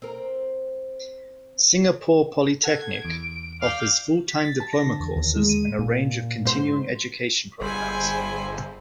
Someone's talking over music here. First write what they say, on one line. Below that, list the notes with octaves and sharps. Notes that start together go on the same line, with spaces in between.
Singapore Polytechnic offers full-time diploma courses and a range of continuing education programmes.
C4 A#4
A4 F#5 G#6
E2 D7
D5 F5 G5
B6
A6
A5
A#6
D3
E2
D#2
G#3
D#7
A#2
G#2 C5 C6
G1 G3 G#3 C4 C5 G#5 B5